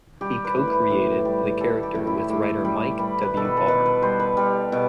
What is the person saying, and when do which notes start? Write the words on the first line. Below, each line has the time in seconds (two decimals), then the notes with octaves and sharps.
He co-created the character with writer Mike W. Barr.
0.21 G3 G4
0.45 B4
0.57 A2
0.68 B4
0.90 A2
1.25 G3
1.60 G3 A4
1.83 G4
1.95 A2
2.07 E4
2.29 A2 G4
2.65 G3
2.98 G3 B4
3.22 B4
3.34 B2 A4
3.45 B4
3.57 A4
3.68 B2 B4
3.86 B4
4.02 G3 C5
4.20 B4
4.37 G3
4.72 B2